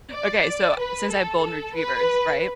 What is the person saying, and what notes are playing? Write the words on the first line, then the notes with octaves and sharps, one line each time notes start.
okay, so, since I have golden retrievers, right?
D5
B4
A4
B4